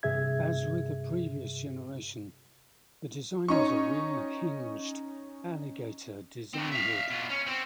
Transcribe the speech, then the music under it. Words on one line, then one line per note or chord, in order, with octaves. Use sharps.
As with the previous generation, the design was a rear-hinged "alligator"-design hood.
G2 C3 G#4 E5 G#6
C#4 D#4 C#6
C4 F#4
E5 F5
B2 F4
C#4
C4 C5